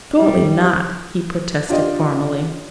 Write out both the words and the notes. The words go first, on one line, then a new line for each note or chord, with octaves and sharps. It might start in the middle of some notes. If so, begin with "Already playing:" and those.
'Surely not!' he protested formally.
G3
D4 F4 G4 D5 D#5